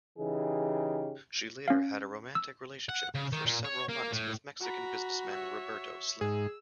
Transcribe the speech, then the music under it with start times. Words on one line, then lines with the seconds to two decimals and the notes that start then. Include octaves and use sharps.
She later had a romantic relationship for several months with Mexican businessman Roberto Slim.
0.19 C#3 E3 D#4 G4 G#4
1.68 C#4 F5
2.35 E6
2.89 F#5
3.15 C#3
3.33 D#3
3.46 A#2
3.65 C#5
3.89 A#3
4.13 A2
4.60 F#4 A#5 B5
5.31 C#5 E5
6.21 G#2 G#4 E6